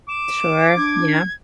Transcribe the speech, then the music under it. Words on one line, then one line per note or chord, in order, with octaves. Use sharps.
Sure, yeah.
D6 E7
D4 G#6